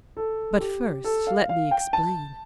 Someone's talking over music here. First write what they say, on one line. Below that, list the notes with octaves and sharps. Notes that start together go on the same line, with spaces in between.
But first, let me explain.
A4
G4
A4
F5
F5
G5
A5